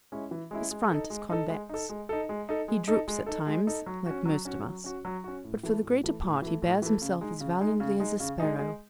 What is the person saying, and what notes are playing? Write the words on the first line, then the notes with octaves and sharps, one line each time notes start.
His front is convex. He droops at times like most of us, but for the greater part he bears himself as valiantly as a sparrow.
G#3 C#4 E4
E3
G#3 C#4 E4
G#3
D#4 A4
G#3
D#4 A4
G#3
D#4 A4
G#3
D#4 A4
G#3
D#4 A4
G#3
D#4 A4
G#3
D#4 A4
G#3
D#4 A4
F#3
C#4 F#4
F#3
C#4 F#4
F#3
C#4 F#4
F#3
C#4 F#4
A2
E3 A3
A2
E3 A3
A2
E3 A3
A2
E3 A3
C#3
G#3 D#4
C#3
G#3 D#4
C#3
G#3 D#4
C#3
G#3 D#4
G#3